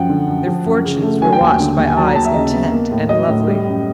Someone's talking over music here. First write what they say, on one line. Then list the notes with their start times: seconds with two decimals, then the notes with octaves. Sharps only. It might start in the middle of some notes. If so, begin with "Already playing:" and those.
Their fortunes were watched by eyes intent and lovely.
Already playing: F#2 F3 F#5 G5
0.09 D3
0.27 F#2
0.46 F3
0.65 F#2
0.84 C#3
1.02 A3
1.21 F#3 G#5
1.32 G5
1.40 D#2 G#5
1.60 D3
1.78 D#2
1.87 G#5
1.97 F#3 A5
2.06 A#5
2.15 D#2 A5
2.25 E5
2.34 C#3 D#5
2.53 B3
2.72 A#3
2.91 A2
3.09 F#3 D#5
3.28 A2
3.47 G3
3.66 F#2